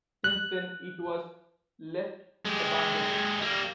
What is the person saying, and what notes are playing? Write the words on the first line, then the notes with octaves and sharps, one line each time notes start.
Since then, it was left abandoned.
F#6
G#3 G4
G3 A#3